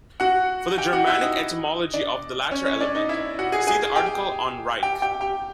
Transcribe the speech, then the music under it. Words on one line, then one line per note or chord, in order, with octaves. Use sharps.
For the Germanic etymology of the latter element, see the article on Reich.
F#4 F#5
G4 G5
F#4 F#5
E4 E5
D#4 D#5
D4 D5
C#4 C#5
C#4 C#5
D4 D5
D#4 D#5
E4 E5
F#4 F#5
G#4 G#5
G#4 G#5
G4 G5
G4 G5
G4 G5
G4 G5